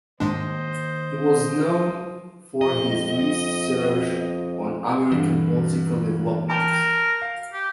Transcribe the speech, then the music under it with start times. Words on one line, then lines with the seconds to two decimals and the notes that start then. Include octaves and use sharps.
He was known for his research on American political development.
0.20 D#2 G#2 G#3 D4 C5 D#5
2.61 F2 D#5
5.12 G2 D3 E3
6.50 A#4 G5 A5
7.22 F5
7.53 G4